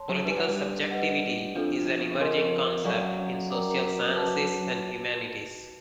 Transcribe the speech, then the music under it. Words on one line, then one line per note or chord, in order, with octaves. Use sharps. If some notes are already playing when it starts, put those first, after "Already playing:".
Political subjectivity is an emerging concept in social sciences and humanities.
Already playing: C#5 A5 C6
F#2 F#3
G3 B4 E5 G#5
F#3
G2 G3
B4 D#5 F#5
F2 F3 D4 F4 A4
F2 F3 A#4 D#5 G#5 C6
F#2 F#3 A4 D5 F5 G#5 C#6
A#4 D5 G5 A#5 D6
F#4 B4 E5 A5 D6